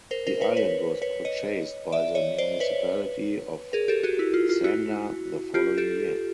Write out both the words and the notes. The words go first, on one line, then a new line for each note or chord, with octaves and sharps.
The island was purchased by the municipality of Sandar the following year.
A#4 C5
A#4 C5
B4 C#5
B4 C#5
B4 C#5
C#5 D#5
D5 E5
C#5 D#5
C5 D5
B4 C#5
G#4 A#4
G4 A4
F#4 G#4
E4
F4
F4
E4 F#4
F4 G4
G4 A4